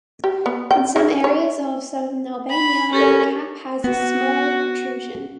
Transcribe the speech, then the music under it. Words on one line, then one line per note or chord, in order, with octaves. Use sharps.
In some areas of southern Albania the cap has a small protrusion.
G4
B3
G5
C#3
C#5
B5
C#4 G4 A4 A#4
B3 F#4